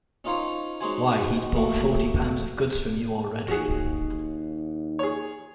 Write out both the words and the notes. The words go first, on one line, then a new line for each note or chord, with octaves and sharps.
Why, he's bought forty pounds of goods from you already.
C#4 D#4 F4 A#4 C5 C#5
G#3 C#4 D#4 F#4 C5 G#5
A3 A#3 F#4
D#2 F#4 G#4
G#4 C#5